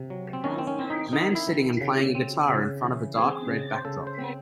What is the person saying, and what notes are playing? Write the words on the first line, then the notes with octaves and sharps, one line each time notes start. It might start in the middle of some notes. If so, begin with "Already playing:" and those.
A man sitting and playing a guitar in front of a dark red backdrop.
Already playing: C3
F#3
C4
D#3 C#4
C4
C#4
C4
D#4
D#3 D#4
E4
D#3
C#3
C4
C#3
E3
C4 G#4
C#3
C5
C#3 A4
C5
C4